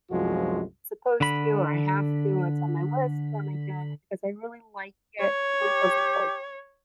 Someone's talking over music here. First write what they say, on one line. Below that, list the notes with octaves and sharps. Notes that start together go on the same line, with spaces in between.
supposed to or I have to or it's on my list or am I doing it because I really like it and it feels indulgent?
C2 F#2 F3 G#3 F4 F#4
D3 B5
C#5
G4